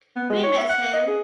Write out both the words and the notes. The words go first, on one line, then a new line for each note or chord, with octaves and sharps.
We'll miss him.
B3
G#3
C#5
E5
F#5
D#5
G#4